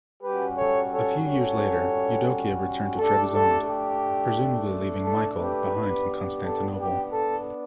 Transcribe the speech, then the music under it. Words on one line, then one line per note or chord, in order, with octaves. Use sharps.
A few years later Eudokia returned to Trebizond, presumably leaving Michael behind in Constantinople.
G3 C#4 F#4 G4 B4
A4 C#5
A4 C#5
A4 C#5
A3 D4 G4 A4
A4
G4
A4
G4 B4
B3 D4 G4
A4
G4
A4